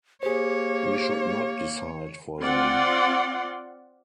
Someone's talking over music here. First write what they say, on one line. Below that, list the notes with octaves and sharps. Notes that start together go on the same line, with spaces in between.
We should not decide for them.
A#3 G4 G#4 C5 C#5
C4 F4 D5 F#5 C6